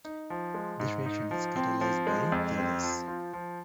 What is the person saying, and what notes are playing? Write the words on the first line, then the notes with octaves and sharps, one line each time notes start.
This reaction is catalyzed by thiolase.
D#4
F3
G#3
G#2
D#4
F3
C4
F3
G#3
F2
C4
F3
F4
F3